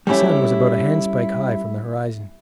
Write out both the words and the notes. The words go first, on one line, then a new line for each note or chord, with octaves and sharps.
The sun was about a handspike high from the horizon.
G3 A3 C#4 E4 G4